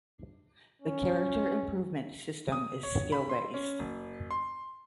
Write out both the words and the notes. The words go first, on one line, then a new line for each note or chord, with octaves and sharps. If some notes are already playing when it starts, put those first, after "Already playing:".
The character improvement system is skill-based.
C#4
D#6
C#5
B5
C6
C#4
F#1
C6